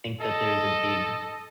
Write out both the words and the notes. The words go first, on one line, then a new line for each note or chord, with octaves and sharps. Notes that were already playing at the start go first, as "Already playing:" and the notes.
Think that there's a big
A4 D#5